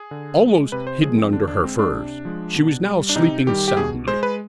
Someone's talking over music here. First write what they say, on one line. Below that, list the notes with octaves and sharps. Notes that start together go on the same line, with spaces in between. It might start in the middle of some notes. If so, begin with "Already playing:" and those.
Almost hidden under her furs, she was now sleeping soundly.
Already playing: G#4
D3
G#3
C3 B4
C5
F3 G#3 G#4
C4
D3 D4
D4
G#3 C4
D4
C3
F3 G#3
B2
G3
D4
C3 D#4
D#3 G3 G4
G4
B2 G#4
G#3 C5
B4